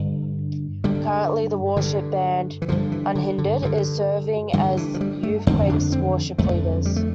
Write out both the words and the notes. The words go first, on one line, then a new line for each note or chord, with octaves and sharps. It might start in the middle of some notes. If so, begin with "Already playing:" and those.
Currently, the worship band Unhindered is serving as YouthQuake's worship leaders.
Already playing: G2 D3
G2 D3 G3
G2 D3
E3
G2 D3 F3
E3
D3
D3
G2 D3
G2 D3 E3
E3
F3
G3
A3
F2 D3 C4
D4
C4
F2 D3 A3
G3
A3